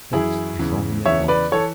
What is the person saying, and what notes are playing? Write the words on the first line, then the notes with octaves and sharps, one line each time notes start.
Thence I saw him at once.
F#2 E3 E4 G#4
E2 C#3 E3
E2 C#3 E3 C#5 E5
B4 D5
E3 A4 C#5